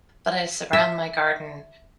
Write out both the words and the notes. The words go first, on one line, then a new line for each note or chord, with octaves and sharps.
but I surround my garden
E5